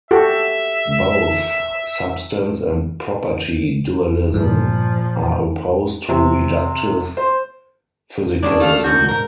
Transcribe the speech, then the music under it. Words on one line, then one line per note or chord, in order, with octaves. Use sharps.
Both substance and property dualism are opposed to reductive physicalism.
F#4 G4 A4 E5
G2 A#2 F3
C3
C5
C#3 D4
A3 F5
F#2 F#4 G6
G#2 A#4